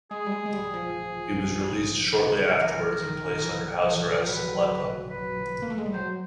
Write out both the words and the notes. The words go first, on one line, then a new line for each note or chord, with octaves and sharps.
He was released shortly afterwards and placed under house arrest in Aleppo.
G#3 G#4
G3
G#3
G#3
G3
F3
E3 A#4
D#3
D#3
E3
F3
E3
F3
F#3 B4
B4
A#3
A3
G#3
G3
F#3 C5